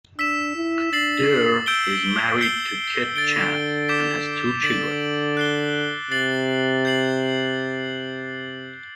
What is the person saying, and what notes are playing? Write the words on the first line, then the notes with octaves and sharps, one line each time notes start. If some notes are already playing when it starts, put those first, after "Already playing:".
Duerr is married to Kit Chan, and has two children.
D4 E6 B6 E7
E4
D4 A6 C7 F#7
E6 G6 D7 G7
E6 G6 C7 G7
D3 A6 D7 G7
D6 G6 B6 E7
D3 A6 D7 F#7
F#6 C7 G7
C3 A6 C7 F#7
G6 C7 F#7